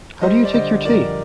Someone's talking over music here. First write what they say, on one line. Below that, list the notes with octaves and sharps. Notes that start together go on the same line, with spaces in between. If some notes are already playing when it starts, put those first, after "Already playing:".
How do you take your tea?
G3 C5 D#5
D5
D3 C5 D#5
F2 A#4 D5